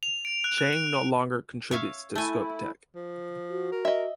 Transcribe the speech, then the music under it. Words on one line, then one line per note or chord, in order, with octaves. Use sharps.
Chang no longer contributes to ScopeTech.
F7
D7
F#6
F#6
D7
C#5 E5 F5
A3 E4 G#5
F3
F#4
A#4
D#5 E5